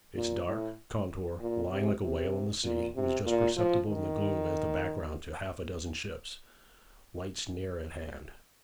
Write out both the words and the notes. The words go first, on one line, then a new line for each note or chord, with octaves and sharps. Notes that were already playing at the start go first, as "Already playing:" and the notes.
Its dark contour, lying like a whale on the sea, was just perceptible in the gloom as the background to half-a-dozen ships' lights nearer at hand.
A#2
A2
A#2
C3
C3
A#2
C3
A#2
F3
D#3